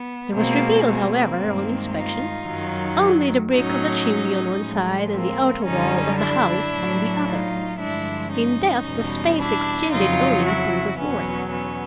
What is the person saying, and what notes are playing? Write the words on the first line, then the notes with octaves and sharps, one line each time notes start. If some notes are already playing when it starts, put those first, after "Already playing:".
There was revealed, however, on inspection, only the brick of the chimney on one side and the outer wall of the house on the other; in depth the space extended only to the flooring.
Already playing: B3
B2 G#3 A#3 C4
A#3 C4
G2 D#3 G#3
D#4 F4
F#2 D#3 F#3
A2 F#3 C#4 D#4
A2 F3 G#3
A#3 C4
F#2 D3 G3 C#4 D#4
D4 E4
A2 F#3
D#4 F4
G2 D3 F3 G#3 D4 E4
C#4 D#4
E2 B2 G3
D4 E4
F2 C#3 F#3 D#4 F4
E4 F#4
E2 B2 F#3 B3 C#4
B3 C#4